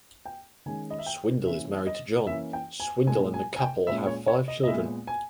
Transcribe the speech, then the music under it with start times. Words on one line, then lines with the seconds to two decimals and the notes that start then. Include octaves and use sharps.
Swindle is married to Jon Swindle and the couple have five children.
0.25 G5
0.66 D#3 G#3 C#4 G#5
0.90 D#5
0.99 E5
1.06 G5
1.46 E3 A#3 C#4 E5
1.87 D#5
2.27 E3 A#3 C#4 E5
2.53 G5
2.80 G#5
3.07 A#2 G#3 C#4 G#5
3.34 G#5
3.56 G#5
3.60 G5
3.87 A#2 G#3 C#4 E5
4.07 C#5
4.28 C#5
4.48 D#5
4.63 D#5
4.68 A#2 G#3 B3 E5
5.07 G#5